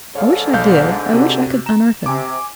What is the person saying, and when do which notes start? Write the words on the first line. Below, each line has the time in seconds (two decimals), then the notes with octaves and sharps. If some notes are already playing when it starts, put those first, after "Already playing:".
I wish I did; I wish I could unearth him.
0.15 G#2 D3 C#5 F5
0.53 B1 F5 G6
1.13 C3 F#4
1.66 A#5 E7
2.06 C3 G#5 D6